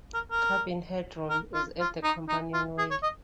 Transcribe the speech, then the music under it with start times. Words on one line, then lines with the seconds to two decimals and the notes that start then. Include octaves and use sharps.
Cabin headroom is at the companionway.
0.14 A#4
0.31 A#4
1.30 A#4
1.54 F4
1.80 F4
2.04 D#4
2.29 D#4
2.53 F4
2.78 G#4
2.90 C#5
3.03 D#5